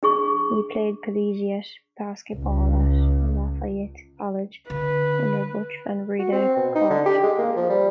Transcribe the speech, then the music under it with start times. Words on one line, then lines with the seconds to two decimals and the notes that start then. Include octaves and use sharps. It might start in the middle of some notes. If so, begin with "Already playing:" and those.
He played collegiate basketball at Lafayette College under Butch Van Breda Kolff.
0.03 D4 G#4 C#6
2.36 C#2
4.70 D3 B4
6.19 F#4
6.32 C4
6.57 B2
6.75 D#4
6.90 D3
7.06 G4
7.23 G#3
7.39 A#3
7.56 F3
7.70 G3